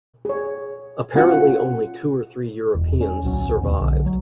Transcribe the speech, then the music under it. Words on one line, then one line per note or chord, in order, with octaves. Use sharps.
Apparently only two or three Europeans survived.
G#4 C#5
C#4 F4 F#4 F#5
E1
C#4
D1 B1 F#3 C#4
D#2 B2
B1 D3
F#3